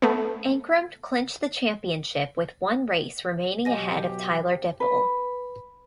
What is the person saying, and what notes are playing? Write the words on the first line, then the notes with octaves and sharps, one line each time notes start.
Ankrum clinched the championship with one race remaining ahead of Tyler Dippel.
A3 B3
B2 F#3 G4 D#5 G#5 A#6
B4